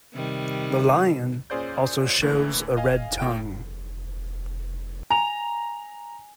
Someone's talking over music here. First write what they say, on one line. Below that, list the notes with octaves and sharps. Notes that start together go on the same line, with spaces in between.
The lion also shows a red tongue.
C3 D#3 G3
A#2 C#4 G#4 C5 D5 G6
A2 D3 E3 A3 A#3
D#5 F5 G#5
A2 G5 D7
G#5 A#5 F7